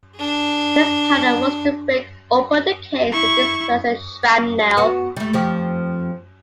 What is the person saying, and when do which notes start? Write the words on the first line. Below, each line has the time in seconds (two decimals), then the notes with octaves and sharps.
This powder was to break open the case and disperse the shrapnel.
0.17 D4 G#4
3.13 E4 C#6
4.77 B3 F#4
5.17 G3 A3
5.33 F2 F3 G4